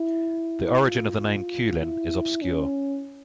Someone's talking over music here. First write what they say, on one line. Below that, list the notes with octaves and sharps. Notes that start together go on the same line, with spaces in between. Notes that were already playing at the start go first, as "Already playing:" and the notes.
The origin of the name Qulin is obscure.
Already playing: E4
F4
F4
E4
C#4